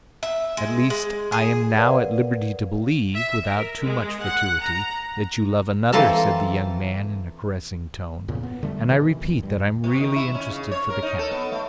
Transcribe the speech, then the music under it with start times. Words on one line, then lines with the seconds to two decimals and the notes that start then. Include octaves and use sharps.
"At least, I am now at liberty to believe, without too much fatuity, that you love another," said the young man, in a caressing tone, "and I repeat that I am really interested for the count."
0.23 E5
0.57 G#3
0.90 G#3
1.32 G#4
1.78 A#4 B4 C#5 D5 F5 F#5
3.15 E5
3.47 A#4
3.83 G#3
4.24 F#5
4.62 A#5
5.92 E3 C4 F4 A4 A#4 A5
8.28 E2 A#2 C#3
8.43 B3
8.63 D3 G3 A3
8.89 B2 D#3 E3
9.22 F1
9.43 G2
9.84 B2
10.01 D#3
10.16 E4
10.35 C#4
10.50 C#3
10.72 C#5
10.90 A#4
11.03 D#4
11.19 A4
11.31 B3
11.52 A3